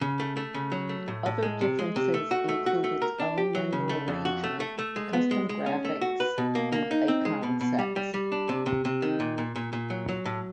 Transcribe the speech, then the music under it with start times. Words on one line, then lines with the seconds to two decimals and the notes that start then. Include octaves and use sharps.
Other differences include its own menu arrangement, custom graphics, and icon sets.
0.01 C#3
0.20 A3
0.37 A3
0.54 C#3
0.72 F#3
0.89 A3
1.08 A2
1.26 A2
1.43 G#3
1.61 C3
1.79 G#3
1.96 C3
2.14 A3
2.31 F#4
2.49 A3
2.66 F#4
2.84 A3
3.02 A#4
3.20 D4
3.38 G4
3.55 F#3
3.73 C#3
3.89 A3
4.08 F2
4.25 F#4
4.44 A3
4.60 A3
4.79 A3
4.96 G#3
5.13 B3
5.31 G#3
5.49 G#3
5.66 C#4
5.85 A3
6.01 F#4
6.20 B4
6.38 B2
6.55 A#3
6.72 A#3
6.91 D#4
7.08 C4
7.25 G#3
7.43 B2
7.61 B2
7.79 G3
7.96 G3
8.14 G3
8.32 D4
8.49 C3
8.66 C3
8.85 C3
9.02 D#3
9.20 A#2
9.38 A#2
9.56 A#2
9.73 A#2
9.90 F#3
10.09 F#3
10.26 A2